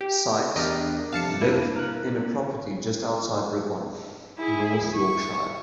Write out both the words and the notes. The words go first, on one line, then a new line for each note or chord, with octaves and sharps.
Sykes lived in a property just outside Ripon, North Yorkshire.
G4
E2 D4 G4 A#4 D5 D#5
F2 C3 F5 A5 C#7
A#3 E4
A#4 F#6
E4 G#4
C#6